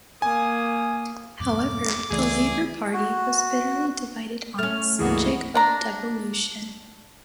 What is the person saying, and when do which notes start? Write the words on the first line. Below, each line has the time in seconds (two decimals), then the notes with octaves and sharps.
However, the Labour Party was bitterly divided on the subject of devolution.
0.22 A#3 G#5 D#6
1.40 E2 G2 B2 D6
2.11 C#2 E3 A3 E4 G#4 D5
2.93 F#4
4.59 A3 C#4 F6
4.99 C#2 G2 E3 A#3 B3 F#4 G#4
5.55 D4 A#5